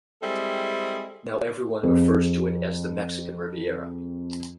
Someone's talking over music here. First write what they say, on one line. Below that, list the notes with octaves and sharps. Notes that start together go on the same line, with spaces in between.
Now everyone refers to it as the Mexican Riviera.
G3 G#3 C4 E4 G#4 A4
F2 C4 G#4